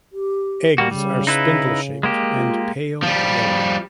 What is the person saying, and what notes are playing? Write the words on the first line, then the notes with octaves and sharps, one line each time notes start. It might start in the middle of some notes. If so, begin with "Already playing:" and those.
Eggs are spindle shaped and pale yellow.
G4
G3 A#3 F#4 G4
C#3 G3
D#4 E4 B4
G#3 A#3 G4
F4
F3 G3